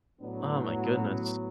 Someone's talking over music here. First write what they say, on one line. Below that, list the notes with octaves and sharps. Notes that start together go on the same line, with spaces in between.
Oh my goodness.
A2 F#3 B3 D4
C#4